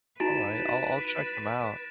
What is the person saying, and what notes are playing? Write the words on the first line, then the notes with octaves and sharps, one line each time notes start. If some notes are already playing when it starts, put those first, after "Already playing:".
Alright, I'll I'll check them out.
D#4 E4 F#4 B4 A6 D7 E7